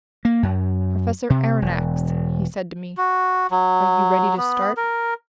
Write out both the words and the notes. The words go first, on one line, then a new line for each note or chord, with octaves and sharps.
"Professor Aronnax," he said to me, "are you ready to start?"
A#3
F#2
C3
E1
F#4
F#3
B3
A#4